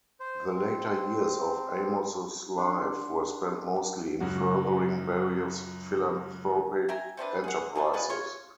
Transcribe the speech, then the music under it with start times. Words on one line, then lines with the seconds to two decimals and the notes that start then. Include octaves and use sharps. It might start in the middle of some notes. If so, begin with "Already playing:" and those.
The later years of Amos's life were spent mostly in furthering various philanthropic enterprises.
0.20 C5
0.55 C4
2.58 D4 F#5 C6
4.20 C#2 F#2 F#4
6.88 E5 G5 G#5 A#5
7.17 C3 C4 D4 B4
7.44 G#4 F#5
7.75 E3 F3 A3
7.93 C3 F4 G#4 B4
8.10 F4 C#5